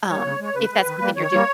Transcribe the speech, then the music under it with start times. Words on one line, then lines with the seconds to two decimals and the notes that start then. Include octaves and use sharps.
Um, if that's something you're doing.
0.09 G3 A#3 C#5
0.24 C#3
0.40 G#3 C#5
0.55 C#3 B4
0.71 G#3
0.86 D#3
1.01 G3 A#3
1.16 D#3 C#5
1.32 G3 A#3